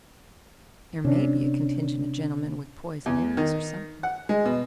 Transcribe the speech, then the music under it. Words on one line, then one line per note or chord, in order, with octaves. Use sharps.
"There may be a contingent of gentlemen with poisoned arrows or something."
C3 C#4 D4
E2
D#3
F#5
G#3
B2